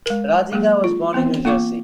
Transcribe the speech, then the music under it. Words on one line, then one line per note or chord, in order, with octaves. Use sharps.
Rah Digga was born in New Jersey.
G#3 A#4
F#3 G#3 A#3 G#4
F4
E3 B3 C4 E4
A#3 F4 F5 C#6 D6